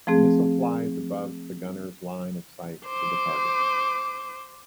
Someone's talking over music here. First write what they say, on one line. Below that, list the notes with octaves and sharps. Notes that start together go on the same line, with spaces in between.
The missile flies above the gunner's line of sight to the target.
F3 A3 C4 G#4
C5 D6